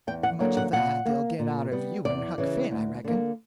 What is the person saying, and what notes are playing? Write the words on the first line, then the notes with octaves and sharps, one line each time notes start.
Much of that they'll get out of you and Huck Finn, I reckon.
E2 G5
F#5
D3 F#3 A#3
F#5
A#2 F#5
A#3
A#2
G3 B3
E2 D5
C#3 E3
D2
D3 A#3